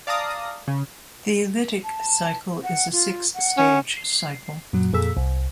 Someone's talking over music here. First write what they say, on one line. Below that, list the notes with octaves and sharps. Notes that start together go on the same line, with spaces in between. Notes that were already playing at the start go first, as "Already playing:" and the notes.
The lytic cycle is a six-stage cycle.
D5 F5 A5 A#5 D#6
C#3
A5
F#5
F4
F#5
C#4
C7
F#2 A#2 F#3
F2 A#2 G#4 A4 E6 B6
C2